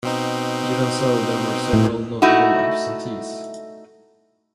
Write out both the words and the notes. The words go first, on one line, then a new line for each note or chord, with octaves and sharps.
Even so, there were several notable absentees.
B2 C4 D#4
A2
A3 D#4 E4 F#4